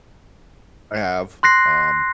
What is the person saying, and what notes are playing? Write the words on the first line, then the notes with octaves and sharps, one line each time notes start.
I have, um,
C6 F#6 A#6 C7